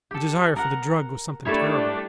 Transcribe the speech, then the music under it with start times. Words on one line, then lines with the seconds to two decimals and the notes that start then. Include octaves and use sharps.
The desire for the drug was something terrible.
0.11 G4 A4
0.56 A#4 F#5
1.45 G3 A3 D4 E4 A4 C#5